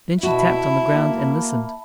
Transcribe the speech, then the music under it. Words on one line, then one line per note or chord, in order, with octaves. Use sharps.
Then she tapped on the ground and listened.
B2 E4 F#4 E5 A5 B5
A#3